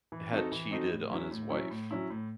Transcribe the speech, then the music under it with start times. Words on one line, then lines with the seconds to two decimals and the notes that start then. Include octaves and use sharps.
had cheated on his wife.
0.12 E3
0.32 C4 D#4 F#4 A4
0.52 E3
0.71 C4 D#4 F#4 A4
0.91 A2
1.11 F#3 C#4 E4
1.31 A2
1.50 F#3 C#4 E4
1.71 A2
1.91 F#3 C#4 E4
2.10 A2